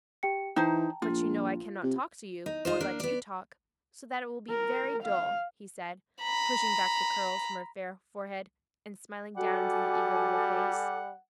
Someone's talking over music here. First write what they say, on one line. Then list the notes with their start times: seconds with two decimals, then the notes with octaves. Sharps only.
"But you know I cannot talk to you, or let you talk; so that it will be very dull," he said, pushing back the curls from the fair forehead, and smiling down into the eager little face.
0.23 G4 G5 C#7
0.56 E3 D#4 C5 G5 A5 A#5
1.02 A#1 F4
1.83 C3
2.46 D#4
2.65 D#4 F4 C5
2.80 A#3 D4
3.00 B3 D5
4.51 A#4
5.04 F5
6.22 A#5 B5
9.37 G3 F#4 A4 F#5 G#5 D6